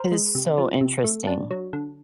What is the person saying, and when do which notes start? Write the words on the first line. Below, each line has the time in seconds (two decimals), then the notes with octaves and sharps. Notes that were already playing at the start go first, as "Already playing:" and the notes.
It is so interesting.
Already playing: A#4 C5
0.12 G#3
0.35 C3
0.58 F3
0.81 C3
1.04 A3
1.27 D4
1.51 F#3
1.73 D3